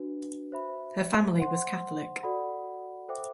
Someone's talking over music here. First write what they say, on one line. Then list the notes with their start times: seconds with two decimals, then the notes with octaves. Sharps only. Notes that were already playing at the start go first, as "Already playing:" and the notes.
Her family was Catholic.
Already playing: D4 F#4 B4
0.52 F#4 C5 E5 B5
1.37 C5 F#5 C6
2.23 F#4 A4 D5 F#5 B5
3.08 A4 C5 E5 G5 D6